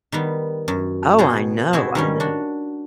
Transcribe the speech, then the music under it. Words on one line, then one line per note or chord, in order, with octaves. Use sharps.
Oh, I know, I know.
D#3 G3 B3
F#2
B2 B3 F#4 G#4 G5 A#5
B2 C4 E4 F#4 G#4
D#3 G3 C#4
D4 F#4